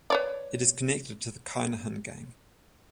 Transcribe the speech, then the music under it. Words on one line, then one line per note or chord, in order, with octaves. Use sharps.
It is connected to the Kinahan gang.
B4 C#5 D5